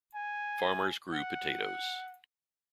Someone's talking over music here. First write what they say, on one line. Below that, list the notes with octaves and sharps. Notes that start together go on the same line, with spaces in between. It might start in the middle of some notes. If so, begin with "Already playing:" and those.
Farmers grew potatoes.
G#5
F#5